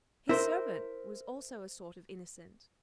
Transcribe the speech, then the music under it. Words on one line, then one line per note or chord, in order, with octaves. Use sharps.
His servant was also a sort of innocent.
E4 A#4 C5